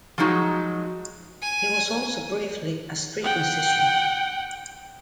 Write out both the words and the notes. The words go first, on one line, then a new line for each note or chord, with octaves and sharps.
He was also, briefly, a street musician.
F3 F#3 G#3 D#4 F#4
G#5
F#5 G5